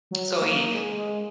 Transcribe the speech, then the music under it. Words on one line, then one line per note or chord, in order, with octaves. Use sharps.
So he
F#3
A#3
G#3
G#3